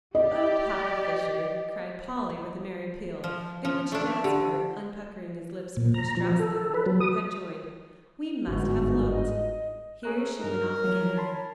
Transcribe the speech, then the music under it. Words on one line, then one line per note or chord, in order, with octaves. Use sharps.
"Oh, Papa Fisher!" cried Polly with a merry peal in which Jasper, unpuckering his lips from the Strauss effort, had joined, "we must have looked"--Here she went off again.
G4 D5 D#5
F3
F3
A3 D4
D3 G4
A#2
A#5
F3
A4
B4
F#3
D#6
G1 G#2 F#4
D#5
A3 C#4 G#4 A#5 F#6
G2 D#4 A#4
F3 F#3 C#5
A5 B5 C6